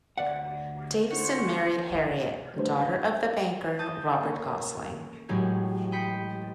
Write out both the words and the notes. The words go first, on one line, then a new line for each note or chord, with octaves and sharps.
Davison married Harriett, daughter of the banker Robert Gosling.
D2 D5 E5 F#5
D3 F4 F#4 C5 C#5 C#7
G3 A3 D4 B4 C5
A5 D#6 G6 A6
A#3 C#4
A1 A2 F#3 G#3 G4 G#6
D#5 G5 B5 C6 B6 C#7